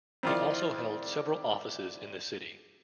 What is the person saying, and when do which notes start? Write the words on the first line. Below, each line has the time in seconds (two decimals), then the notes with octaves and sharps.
He also held several offices in the city.
0.23 F2 D#3 C4 E4 F4 D5